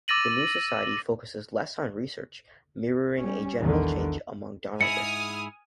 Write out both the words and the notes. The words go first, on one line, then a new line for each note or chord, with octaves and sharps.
The new society focuses less on research, mirroring a general change among donaldists.
D6 E6 A6 A#6 D#7 F#7
G3 C#4
A#1 E2 D3 D#3
G#2 E4 G#4 G#5 D#6 F6 C#7